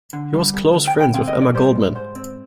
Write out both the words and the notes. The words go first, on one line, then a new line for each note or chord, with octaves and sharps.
He was close friends with Emma Goldman.
D3
G3
C2
D2
G5
D2
G5
C4 F5
D#5
F2
D5
G3 C5
C2
G#2 C5
C4